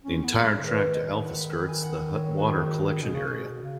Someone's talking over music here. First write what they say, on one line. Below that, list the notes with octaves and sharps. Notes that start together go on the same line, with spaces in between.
The entire track to Alpha skirts the Hutt Water Collection Area.
C#4
B3
G#4
G#3
C#3
D#3 B4
D#5
F#5
B5
B5
G#5
F#5
C#5
F#4 G#4
B2 G#4
C#3 F#4
B2 G#4
C#3